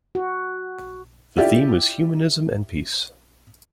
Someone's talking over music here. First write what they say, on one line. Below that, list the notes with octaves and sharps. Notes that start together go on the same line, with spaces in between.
The theme was Humanism and Peace.
F#4
E4 F4 G4 D5 E5